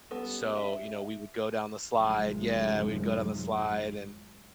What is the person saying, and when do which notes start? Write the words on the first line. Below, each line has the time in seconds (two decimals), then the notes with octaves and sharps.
So, you know, we would go down the slide. Yeah, we'd go down the slide, and
0.11 G3 B3 C#4 A4
0.57 E5
1.94 A1 F#2 C3 D#3 F3 G#3